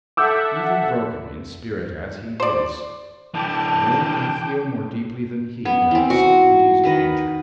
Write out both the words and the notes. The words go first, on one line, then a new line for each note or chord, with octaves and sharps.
Even broken in spirit as he is, no one can feel more deeply than he does the beauties of nature.
A4 E5 F#5 D6 E6 G6
C5 D5
E3 D4 G5 A5 D6
B3
E3 C4
F#4
D#3 B4 D#5